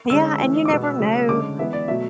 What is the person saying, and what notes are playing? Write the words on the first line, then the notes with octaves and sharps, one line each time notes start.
Yeah, and you never know
D3 G#3 C#4 E6
E3 A3 C#4
D6
B2 G#3 B3 E6
C#3 F#3 A3 C#4
D3 G#3 C#4 D6
E3 G#3 B3 E5
D5
B2 F#3 A3 E5